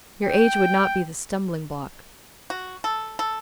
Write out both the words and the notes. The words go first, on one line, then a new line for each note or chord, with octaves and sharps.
"Your age would not be the stumbling block."
G5
F#4
A4
A4